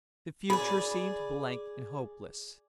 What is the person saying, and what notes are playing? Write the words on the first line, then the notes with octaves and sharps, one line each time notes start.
The future seemed blank and hopeless.
G#4 D5 B5